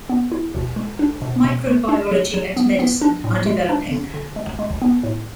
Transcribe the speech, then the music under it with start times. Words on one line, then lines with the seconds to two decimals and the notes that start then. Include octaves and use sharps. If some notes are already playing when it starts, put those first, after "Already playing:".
Microbiology and medicine are developing.
0.09 B3
0.32 E4
0.55 B2
0.76 G#3
0.99 D4
1.22 B2
1.44 B2
1.67 A3
1.89 D4
2.11 F#3
2.34 F#3
2.56 B3
2.79 B3
3.01 D4
3.24 A2
3.46 G#3
3.69 D4
3.91 D3
4.14 D3
4.36 G#3
4.59 G#3
4.82 B3
5.03 A2